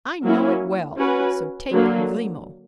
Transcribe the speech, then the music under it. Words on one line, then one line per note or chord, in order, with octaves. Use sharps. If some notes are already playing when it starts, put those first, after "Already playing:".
"I know it well, so take Grimaud."
F#3 A#3 C#4 E4
C#4 F#4 B4
D3 F#3 A#3